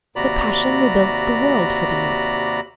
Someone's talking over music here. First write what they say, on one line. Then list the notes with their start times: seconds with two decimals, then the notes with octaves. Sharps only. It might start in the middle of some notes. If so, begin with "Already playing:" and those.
The passion rebuilds the world for the youth.
0.16 D#2 C3 F#4 D5 A#5 B5